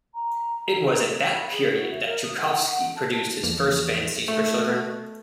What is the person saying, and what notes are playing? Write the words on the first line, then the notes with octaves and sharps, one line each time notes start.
It was at that period that Chukovsky produced his first fantasies for children.
A#5
B5
G#4
F#4
E5
A#4
D#6
F#5
F#5
A5
E2 F3 A#3
A3